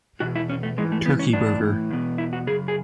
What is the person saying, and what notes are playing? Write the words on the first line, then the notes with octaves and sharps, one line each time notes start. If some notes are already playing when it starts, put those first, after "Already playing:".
Turkey burger.
E2 B2 F#4
E4
C#4
A3
G#2 E3 G#3
A3
B3
C#4
A2 E3 D4
E2 B2
E4
F#4
F#2 C#3 G#4
G#4